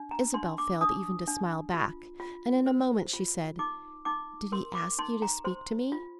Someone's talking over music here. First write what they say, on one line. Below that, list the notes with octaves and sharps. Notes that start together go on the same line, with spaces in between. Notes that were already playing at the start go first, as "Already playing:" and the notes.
Isabel failed even to smile back and in a moment she said: "Did he ask you to speak to me?"
Already playing: D4
A#5
D4 C6
D6
D4 D#6
D4
F4
F4
C5
F4
D#4 D6
D#4 D6
A#4 C6
D6
D#4 C6
A#5
C5 C6
F4